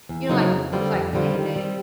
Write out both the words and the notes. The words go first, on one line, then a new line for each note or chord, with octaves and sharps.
you know, like, if it's, like, game day.
E2
C#3 F#3 A#3 D#4
F2
D3 G3 C4 F4
F2
D3 G3 C4 F4
D#3
G3 C4